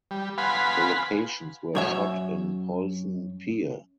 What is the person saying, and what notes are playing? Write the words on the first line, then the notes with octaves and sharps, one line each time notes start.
The locations were shot in Polson Pier.
G3
B4 F5 F#5 G#5 B5 C6
F#2 C#5 E5